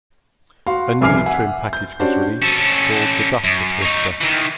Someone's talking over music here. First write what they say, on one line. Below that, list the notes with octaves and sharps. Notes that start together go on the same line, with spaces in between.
A new trim package was released, called the Duster Twister.
F#4 F5 C6
F1 C2 G#5 D6 F6 C7
E5 F#5 G#5
G6
C#4 D4 F#4 G4 C5 D5
C#4 A4
F#2
D#4 C#5
D#3 E3